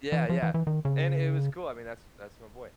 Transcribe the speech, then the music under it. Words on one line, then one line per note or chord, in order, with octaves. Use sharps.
Yeah, yeah, and it was cool, I mean, that's that's my boy.
E3
F3
E3
E3
D#3
C#3